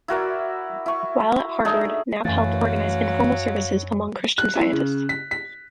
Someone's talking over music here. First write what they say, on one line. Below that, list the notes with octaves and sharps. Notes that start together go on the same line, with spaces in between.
While at Harvard, Knapp helped organize informal services among Christian Scientists.
E4 F#4 A#4 D5
E4 C#6
A3 D4 D#4 G#4
F#2 E3 F#3 A3 F5 A6
F#6
E4
C#3
B6
B6